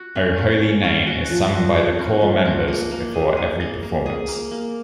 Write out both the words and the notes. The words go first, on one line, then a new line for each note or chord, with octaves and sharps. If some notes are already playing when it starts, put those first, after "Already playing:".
"O Holy Name" is sung by the corps members before every performance.
Already playing: F#4
C#4
C#4
C#4
C#4
F#4
F3
F#4
F#4
C#4
F3
F#4
A#3
A#3
G#4
G#4
A#3
A#3
G#4
A#3
A#3